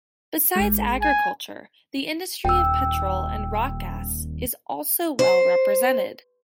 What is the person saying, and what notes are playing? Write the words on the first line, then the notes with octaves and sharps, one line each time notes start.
Besides agriculture, the industry of petrol and rock-gas is also well represented.
A1 G#3
G#5
D#1 G5 E6
C5